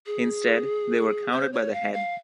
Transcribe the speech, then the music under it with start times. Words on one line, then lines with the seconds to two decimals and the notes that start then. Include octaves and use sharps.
Instead, they were "counted by the head".
0.06 G#4
1.32 C5
1.53 C#5
1.73 F5
1.94 F5